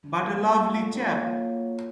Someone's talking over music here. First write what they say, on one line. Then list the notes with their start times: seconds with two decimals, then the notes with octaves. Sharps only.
But a lovely chap!
0.22 A#2 A3 F#5
0.57 A4
0.93 A#2 F#3 A#3 G4